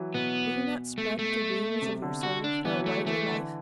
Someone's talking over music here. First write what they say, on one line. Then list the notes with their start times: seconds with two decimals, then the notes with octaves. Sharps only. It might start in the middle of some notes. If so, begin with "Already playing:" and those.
Will you not spread the wings of your soul for a wider life?
Already playing: E3 F#3
0.14 B2 B3
0.98 A3
1.19 A3
1.82 C3
2.02 D3
2.23 F#4
2.44 D4
2.65 E3 B3
2.79 F#3
2.86 A3
3.07 E3 A3
3.28 D3